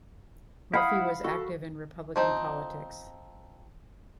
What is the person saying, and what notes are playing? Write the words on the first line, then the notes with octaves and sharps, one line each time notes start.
Murphy was active in Republican politics.
E4 F5 F#5 B5 D#6
F#4 A4
F3 C4 D#4